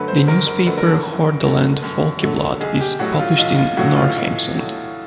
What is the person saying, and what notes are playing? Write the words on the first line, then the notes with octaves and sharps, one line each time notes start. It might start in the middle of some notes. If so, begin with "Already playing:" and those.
The newspaper "Hordaland Folkeblad" is published in Norheimsund.
Already playing: F#2 D3 F#3 A3 B4
C5
F#2 A#4
A#4
D3 F#3 A3 B4
A#4
A4
F#2
D3 F#3 A3
F#2
D3 F#3 A3
B1 G#4
G4
A2 F#3 F#4
F4
B1 F4
F4
A2 F#3 F#4
F4
B1
A2 F#3